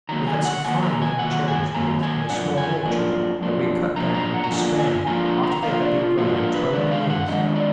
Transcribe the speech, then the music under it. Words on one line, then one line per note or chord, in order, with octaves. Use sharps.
We had some fine young cherry-trees in a small orchard that we cut down in despair after they had been growing twelve years.
D#3 F#3 A#3 A#5
G#5
F#5
D#3 F#3 A#3 G#5
A#5
G#5
D#3 F#3 A#3 F#5
G#5
D#3 F#3 A#3 A#5
G#5
F#2 F3 A#3 D4 F#5
G#5
F#2 F3 A#3 D4
F#2 F3 A#3 D4
F#2 F3 A#3 D4 A#5
A#5
F#5
A#5
D3 F3 A#3 D4 F4 G#5
G#5
D3 F3 A#3 D4 F4 A#5
A#5
A#5
D3 F3 A#3 D4 F4 F5
D5
F4
D3 F3 A#3 D4 F4 F#4
A#4
B4
F2 D#3 G#3 D4 D5
F5
F#5
F2 D#3 G#3 D4 D#5
D5